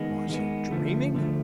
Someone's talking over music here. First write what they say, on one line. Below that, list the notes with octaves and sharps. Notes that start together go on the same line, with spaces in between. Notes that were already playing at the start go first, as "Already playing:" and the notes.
Was he dreaming?
Already playing: D#3 G#3 B3
D#3 G#3 B3
D3 F3 A3
D3 F3 A3